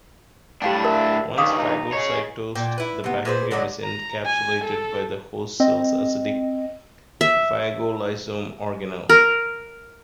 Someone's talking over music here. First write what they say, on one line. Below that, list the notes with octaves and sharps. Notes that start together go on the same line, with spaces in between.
Once phagocytosed, the bacterium is encapsulated by the host cell's acidic phagolysosome organelle.
A2 G3 D4 G4 F5 G5
A#4 E5
G2 D#3 C#4 F5 D6 D#6
D#4
G#4 C#5 D#5
A#2 G5
E4 B4
C3 B3
A#2 G#4 B4 C5
D3 F#3 D4 D#4
A#5
G#5
A4
C4 D#5
E5
A#4